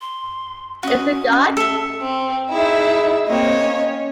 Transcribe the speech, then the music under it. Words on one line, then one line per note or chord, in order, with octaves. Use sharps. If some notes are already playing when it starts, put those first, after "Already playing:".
Is it God?
C6
C#4 F#4 D#5
A4 E5
C4
D#4 E4 G#4 E5 E6
A#3 C4 C#5 D#5
C#4